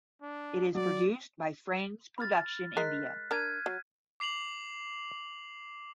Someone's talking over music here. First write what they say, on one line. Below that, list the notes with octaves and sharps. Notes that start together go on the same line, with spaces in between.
It is produced by Frames Production India.
D4
F#3 D5
B5 F6 A6
G#3 A#4 F#6 B6 C7
D4 A#4 F6 G#6 D#7
F#3
D6 C7 F7 F#7